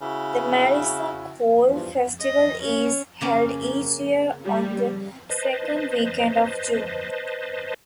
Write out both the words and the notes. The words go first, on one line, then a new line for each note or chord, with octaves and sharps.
The Marissa Coal Festival is held each year on the second weekend of June.
C#3 E4 F#4
E2 G2 F3
D#5
C#4
C#3 A#3 C#4
G3
B4 C5 D#5 A5